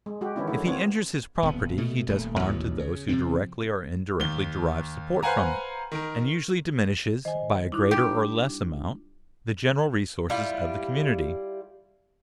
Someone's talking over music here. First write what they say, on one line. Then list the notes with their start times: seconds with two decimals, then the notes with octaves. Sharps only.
If he injures his property, he does harm to those who directly or indirectly derived support from it, and usually diminishes, by a greater or less amount, the general resources of the community.
0.06 G#3
0.21 G#3 F#4 G4
0.36 D#3 E3 B3 C#4 D4 E4
0.47 G#3 A3 E4
0.66 D3 B3 C4 D4 F4 C#5
1.43 D#1 B3
1.77 B2 A3
2.08 D#1 A3
2.39 A1 D#2 B2
2.79 C#3
3.09 C3 F3 C4
4.20 D#2 G7
5.23 B4 C5 F5 F#5 G#5 A#5
5.92 D#3 A#4
7.25 D#3 C5 D#5 G#5
7.72 G3 D#4 E4 D6 F#6
7.91 D4 F4 G4
10.30 G3 E4 F4 G4